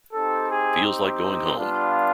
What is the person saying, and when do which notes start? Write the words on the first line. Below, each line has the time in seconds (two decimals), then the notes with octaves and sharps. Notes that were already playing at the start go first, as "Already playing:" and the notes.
Feels like going home.
0.12 C4 D#4 G4 A4
0.48 G#4
1.57 G3 B3 D4 F4